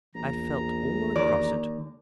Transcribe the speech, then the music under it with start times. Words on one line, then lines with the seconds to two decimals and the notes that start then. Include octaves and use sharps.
I felt all across it.
0.15 A#1 E2 A#5
1.16 D#2 D5